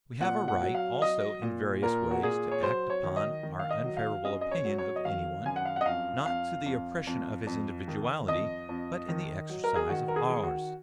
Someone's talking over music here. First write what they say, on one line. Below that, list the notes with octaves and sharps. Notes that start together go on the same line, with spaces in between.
We have a right, also, in various ways, to act upon our unfavourable opinion of any one, not to the oppression of his individuality, but in the exercise of ours.
A#2 F#5
F#5
F#3
F5
F#3 D#5
A#2
A#2 A#4
F#4
A#2 G#4
C#5
F#3 C5
C#5
D#3
D#5
D#3
F5
D#5
F#3
F5
F#2 D#5
D#5
C#5
F#3
C#5
D#5
D#3 F5
F#2 G#5
F#5
F5
D#5 F#5
F2 F5
F2 F5
F2
F2
F2
D#3
F2 D#5
F2
D#3
F#3
A#4
G#4
D#3 F#4
A#4
G#4
D#3
F#4